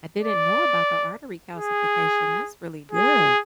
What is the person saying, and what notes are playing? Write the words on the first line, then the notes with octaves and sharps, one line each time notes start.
I didn't know about the artery calcification, that's really good.
D5
G#4
G#4